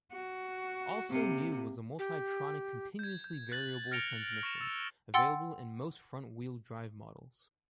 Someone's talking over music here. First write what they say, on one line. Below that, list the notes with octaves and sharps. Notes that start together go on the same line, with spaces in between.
Also new was the multitronic continuously variable transmission, available in most front-wheel drive models.
F#4
C3 A#3
G4
G6 G#6
G6
F#6 A6 F#7
F6 A#6 C#7 D7 F7 G7
C#6 A#6 E7
E6 A6
F#5 G5 C6 E6 A6 C#7